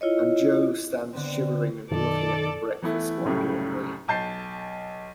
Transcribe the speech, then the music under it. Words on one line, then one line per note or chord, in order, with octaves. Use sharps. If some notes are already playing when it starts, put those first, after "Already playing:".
And Jo stands shivering and looking at the breakfast wonderingly.
E4 F4 C#5 D#5
D3 B3 C4
F#2 B2 D#3 A4 D5
E3 A3 B3 E4
C2 F#2 A2 C#3 G3 A3
B1 A5 G6 A6 C7